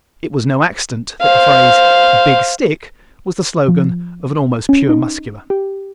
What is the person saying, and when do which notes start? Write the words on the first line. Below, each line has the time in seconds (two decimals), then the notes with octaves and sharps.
It was no accident that the phrase "big stick" was the slogan of an almost pure Muscular.
1.21 C5 F5
3.68 F3
4.69 C#4
4.89 D#4
5.50 G4